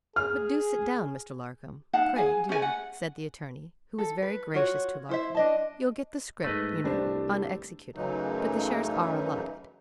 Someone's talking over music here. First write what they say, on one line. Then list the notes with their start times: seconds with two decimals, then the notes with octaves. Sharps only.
'But do sit down, Mr. Larcom--pray do,' said the attorney, who was very gracious to Larcom. 'You'll get the scrip, you know, on executing, but the shares are allotted.
0.16 G#4 F6
1.93 D#4 F5 F#5 A5
2.16 G#4 G#5
2.49 C#4 G#4 C5 G#5
2.62 F#5
3.98 A4
4.22 B4
4.54 F4 F#4 C#5
5.09 E4 C5 E5
5.35 D4 D#5 A5
6.44 G#2 A3 B4 D#5
6.84 C2 G3 D4 C5
7.95 F#2 C#3 E3 F#3 A3 D#4